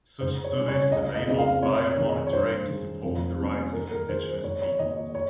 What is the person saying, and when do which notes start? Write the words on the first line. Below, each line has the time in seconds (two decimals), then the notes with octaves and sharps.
Such studies enable biomonitoring to support the rights of indigenous peoples.
0.21 G#2 C5
0.44 C#5
0.57 G3 C#4
0.68 C#5
0.91 C#2 D#5
1.15 D#5
1.27 C#3 G#3 C4 D#4 D#5
1.38 F5
1.62 C3 C#5
1.86 C#5
1.97 D#3 G#3
2.09 D#5
2.27 C#5
2.33 G2 C5
2.67 D#3 G#3
3.03 F2
3.38 C3 G3 A#3 C#4
3.73 D#2 A#4
3.91 A#4
4.09 D#3 G#3 C5
4.27 C5
4.44 G#2 C#5
4.62 C#5
4.79 D#3 A#3 D#5
4.97 D#5
5.15 C#5